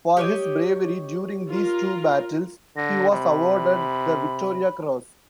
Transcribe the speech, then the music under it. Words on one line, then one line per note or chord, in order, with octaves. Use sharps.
For his bravery during these two battles, he was awarded the Victoria Cross.
G4 C#5 D#5
F4 A#4
D3 A#6
C3 B5